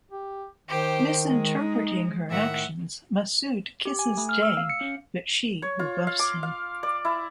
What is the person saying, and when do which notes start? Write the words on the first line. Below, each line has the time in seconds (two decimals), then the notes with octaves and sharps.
Misinterpreting her actions, Masood kisses Jane, but she rebuffs him.
0.12 G4
0.68 D#3 G4 C5
1.27 G#3
1.60 D#4
2.29 A2 D#3 E5 F#5
3.85 G4
3.99 G#5
4.17 A3
4.29 F6
4.42 E6
4.57 F5
4.69 C#7
4.81 C#4
5.62 C#5
5.79 F4
6.07 F5
6.19 D6
6.43 F5
6.83 D5
7.05 E4